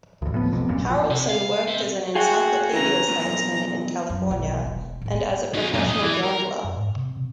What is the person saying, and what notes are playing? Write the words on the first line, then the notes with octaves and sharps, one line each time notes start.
Harrelson worked as an encyclopedia salesman in California and as a professional gambler.
A1 D2
A2 F3 B3
B1 F2 C3
D#1 F#2 A#2
A#1 F3
C3
F5
C4 E5
F#4 G#4 F5 G5
C#3 E3 A#5
B1 A#2
F#2 F#3
B1 F#3
E1 B2
A2 D#3
D2 B3
D#4 F#4
F#2 A#2
F2 D#5
E3
A#4
F#2
G#2
C3
C3